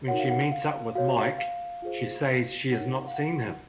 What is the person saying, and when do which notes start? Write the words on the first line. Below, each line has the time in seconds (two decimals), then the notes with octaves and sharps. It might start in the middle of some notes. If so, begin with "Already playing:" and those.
When she meets up with Mike, she says she has not seen him.
0.07 D#4 F#4 A#4 C#5 F#5
0.19 F5
0.30 F#5
0.52 F5
0.95 F#4 C#5 F5
1.38 F5
1.82 F4 G#4 C5
2.70 D#4 A#4 C#5 F#5
3.07 F5
3.14 F#5